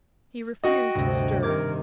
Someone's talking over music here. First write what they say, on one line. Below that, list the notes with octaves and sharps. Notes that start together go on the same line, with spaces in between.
He refused to stir.
F#4 D#5 G5
D2 G2 C3
C3 D#3 A#4 D6 G#6 A6